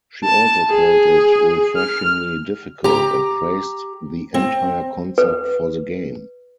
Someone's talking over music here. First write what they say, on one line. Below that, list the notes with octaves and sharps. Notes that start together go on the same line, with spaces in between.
She also called it "refreshingly difficult" and praised the entire concept for the game.
A5
G#4
F6
G4 A#5
C4
B4